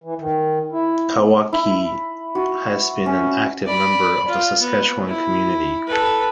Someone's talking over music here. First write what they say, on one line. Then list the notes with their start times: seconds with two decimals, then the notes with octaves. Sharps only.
Karwacki has been an active member of the Saskatchewan community.
0.04 E3
0.19 D#3
0.72 E4
1.12 B3
1.53 E4
2.35 F#4
3.06 C#4
3.66 D5 B5
4.27 F4
4.61 B3
5.07 E4
5.87 A4 B4